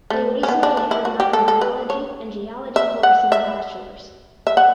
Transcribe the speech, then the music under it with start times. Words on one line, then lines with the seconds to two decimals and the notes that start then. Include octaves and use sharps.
They recently added Microbiology and Geology course in Bachelors.
0.10 A3
0.43 C#4
0.48 B3
0.63 D4
0.77 D4
0.91 E4
1.05 F#4
1.20 G4
1.33 A4
1.48 A4
1.61 B4
1.90 C#5
2.76 E5
3.03 F#5
3.32 E5
4.47 E5
4.57 F#5